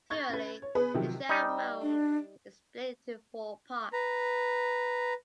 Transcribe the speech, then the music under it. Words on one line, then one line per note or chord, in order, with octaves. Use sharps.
Currently, the shell mound is split into four parts.
C#6 G#6 A6
C#4 B4
C#5
B3 G#4 B4
C3 D#3 F3 F#3 G4
G3 D#4
D4
B4 A#5